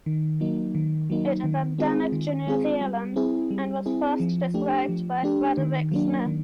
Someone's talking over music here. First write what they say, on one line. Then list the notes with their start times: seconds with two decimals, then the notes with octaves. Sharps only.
It is endemic to New Zealand and was first described by Frederick Smith.
0.06 D#3
0.41 F#3 A#3 D#4
0.75 D#3
1.10 F#3 A#3 D#4
1.44 D#3
1.78 G#3 C4 F4 G#4
2.12 D#3
2.47 G#3 C4 F4 G#4
2.81 G3
3.16 C4 E4 G#4
3.51 G3
3.86 C4 E4 G#4
4.20 F3
4.54 A3 D4 G4
4.89 F3
5.23 A3 D4 G4
5.57 D#3
5.91 F#3 A#3 D4
6.26 D#3